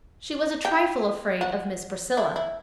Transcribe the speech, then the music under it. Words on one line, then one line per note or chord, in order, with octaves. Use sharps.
She was a trifle afraid of Miss Priscilla.
G4
F#4
E4
E4